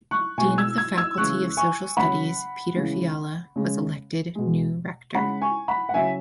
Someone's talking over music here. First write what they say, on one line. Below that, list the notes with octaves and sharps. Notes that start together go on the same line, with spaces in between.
Dean of the Faculty of Social Studies Petr Fiala was elected new Rector.
C#6 F#6
B2 G#3 G#5 C#6
E6 G#6
E6 G#6
E6 G#6
C#3 E3 G#3 C#6 F#6
G#5 C#6
C#3 F#3 F#5 B5
C#3 E3 G#3
C#3 G#3
B2 G#3
C#3 G#3 F#5 B5
G#5 C#6
F#5 B5
F#5
C#3 F#3 E5 G#5